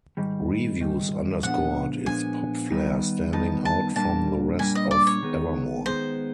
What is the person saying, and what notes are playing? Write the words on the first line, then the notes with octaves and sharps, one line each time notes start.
Reviews underscored its pop flair standing out from the rest of "Evermore".
G#2 D#3 G3
G#2 D#3 G3
A#2 F3 G#3 B3 D4 F#5
A#2 F3 G#3 B3 D4 G#5
D#3 G3 B3 D#4
D#3 G3 B3 D#4 A5
A5
A#2 G3 A#3 D4 A5
A#2 G3 A#3 D4 G#5
D#5
D5
C#5
D#3 G#3 B3
D#3 G#3 B3 C5